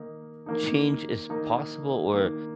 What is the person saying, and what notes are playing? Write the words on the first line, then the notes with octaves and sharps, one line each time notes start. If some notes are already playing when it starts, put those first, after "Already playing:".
"Change is possible?" Or,
Already playing: D#3 A#3 D#4
D#3 A#3 D#4
D#3 A#3 D#4
D#3 A#3 D#4